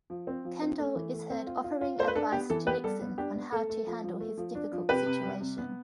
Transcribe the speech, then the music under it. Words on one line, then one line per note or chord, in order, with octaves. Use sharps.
Kendall is heard offering advice to Nixon on how to handle his difficult situation.
F3
C4
F3
C4
A3
E3
A3
C4
F4
F4
F4
A3 C5
B4
D4 A4
B3 G4
E3 A4
B3 G4 B4
G3 A4
B3
D4 G4
B3
A3 A4
A3
F3
F3
A3
F3
D4
F3
C3 G4 B4
C3
G3
C3
B3